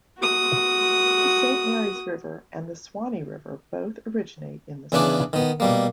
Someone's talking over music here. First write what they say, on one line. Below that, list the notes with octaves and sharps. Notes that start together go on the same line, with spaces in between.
The Saint Marys River and the Suwannee River both originate in the swamp.
F#4 D#6
E2 C#3 E3 D4 B4 D5
D#3 B3
B2 G3 A#3